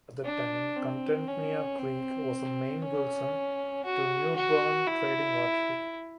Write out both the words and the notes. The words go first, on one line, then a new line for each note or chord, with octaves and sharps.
At the time, Contentnea Creek was a main Wilson to New Bern trading artery.
D4
C4
C#4
C4
C#4
F#4
F#4
E4